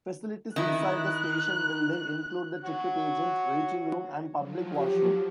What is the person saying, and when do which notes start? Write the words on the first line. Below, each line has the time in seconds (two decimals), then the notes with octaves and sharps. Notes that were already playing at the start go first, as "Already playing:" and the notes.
Facilities inside the station building include the ticket agent, waiting room and public washroom.
0.56 D#3 E4 F#6
2.64 F#4 C#5
4.35 F3 F#3
4.76 G4